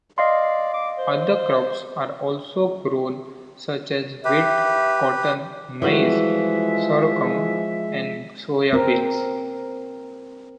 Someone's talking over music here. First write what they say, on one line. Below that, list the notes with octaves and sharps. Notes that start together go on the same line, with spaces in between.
Other crops are also grown, such as wheat, cotton, maize, sorghum and soya beans.
D5 D#5 F5 C6
D6
C5
G4 B4 E5
E3 F3 G3 G#3 F#4 E5
C4 A#4